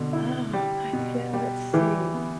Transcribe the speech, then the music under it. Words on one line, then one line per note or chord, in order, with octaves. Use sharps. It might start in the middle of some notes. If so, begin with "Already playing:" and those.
Oh, I yeah, let's see.
Already playing: B2 D3
E4
G3
B2
G3
E3 G4
B3